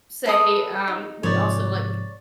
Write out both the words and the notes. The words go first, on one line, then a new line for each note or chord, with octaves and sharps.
say, um, we also, like
A4 B4 D#6
D#4
G#2 C3 F3 C#5 D5